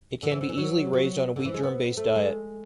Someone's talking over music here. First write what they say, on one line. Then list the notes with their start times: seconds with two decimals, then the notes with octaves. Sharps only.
It can be easily raised on a wheat-germ-based diet.
0.23 D3
0.31 E3
0.41 D3
0.49 E3
0.57 F#3
0.93 F#3
1.36 D3
1.45 E3
1.54 G#3
1.63 B3
1.97 A3
2.15 G#3